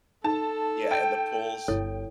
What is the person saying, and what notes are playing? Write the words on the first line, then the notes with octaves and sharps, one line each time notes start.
yeah, and the pools
D#4 A4 A5
G5
G1 E4 A4 C#5